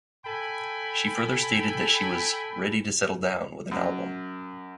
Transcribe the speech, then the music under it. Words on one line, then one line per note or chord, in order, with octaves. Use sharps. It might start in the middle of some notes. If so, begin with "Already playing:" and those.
She further stated that she was "ready to settle down with an album".
A4 G5 G#5 B5
F#2